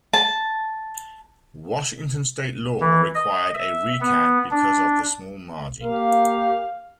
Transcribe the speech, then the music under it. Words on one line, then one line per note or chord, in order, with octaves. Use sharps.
Washington State law required a recount because of the small margin.
A5
E3
D#5
E5
B3
D4
A#3 G4 F5